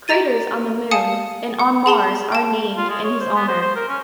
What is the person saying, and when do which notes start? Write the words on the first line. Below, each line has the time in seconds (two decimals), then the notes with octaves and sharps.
Craters on the moon and on Mars are named in his honor.
0.08 G4 D#5 A#5 A6 D#7
0.91 F5 G#5 A5 D#6 C#7
1.59 F#5
1.86 G#4 A5 C6 F7
2.32 G5 A5
2.77 F4
2.89 G#3
3.04 C#5
3.20 C5
3.36 B3
3.48 C5
3.61 C5
3.75 A#4
3.88 C#4